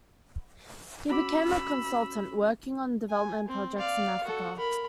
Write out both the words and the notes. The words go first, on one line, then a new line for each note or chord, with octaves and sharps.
He became a consultant, working on development projects in Africa.
C#4 F#4 B5 D6 E6
G#5
C4
D5 F5
F#4 A4
A#4 B5